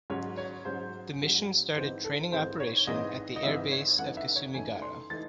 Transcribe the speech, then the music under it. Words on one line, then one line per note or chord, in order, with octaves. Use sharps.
The Mission started training operation at the air base of Kasumigaura.
G#2 F#3 C#4 C#5
C#5
G#2 F#3 C#4 C5
G#2 F#3 C#4
G#2 E3 C4 D#4 C5
A4
G#2 E3 C4 D#4 C5
C#5
G#2 E3 C4 D#4 D#5
D#5
G#2 E3 C4 D#4 E5
C#5
F#2 E3 A3 D#4 F#5
E5
C#5
F#2 E3 A3 D#4 G#5
C6
E3 A3 D#4 A6